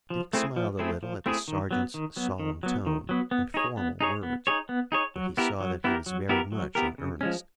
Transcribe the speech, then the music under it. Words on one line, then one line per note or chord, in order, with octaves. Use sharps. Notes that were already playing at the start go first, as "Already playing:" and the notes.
Dick smiled a little at the sergeant's solemn tone, and formal words, but he saw that he was very much in earnest.
F3
A3 C4 E4 G#4
F3
A3 C4 E4 G#4
F3
A3 C4 E4 G#4
D#3
F#3 B3
D#3
F#3 B3
D#3
F#3 B3
D#3
F#3 B3
B3
D#4 G#4 C#5
B3
D#4 G#4 C#5
B3
D#4 G#4 C#5
B3
D#4 G#4 C#5
F#3
B3 E4 G4 A#4
F#3
B3 E4 G4 A#4
F#3
B3 E4 G4 A#4
F#3
B3 E4 G4 A#4
C#3
F3 G#3 C#4